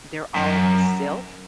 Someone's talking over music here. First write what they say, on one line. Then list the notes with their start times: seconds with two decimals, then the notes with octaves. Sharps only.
they're all for self,
0.36 F#2